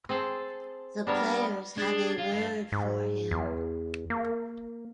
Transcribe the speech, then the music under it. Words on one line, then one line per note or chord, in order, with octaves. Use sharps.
The players have a word for him.
C4 G#4 A4
G3 B3 D4 A#4 C#5
D4 G#4 G#6 A6 C7
F4 F5
G2
G#2
E2
A#3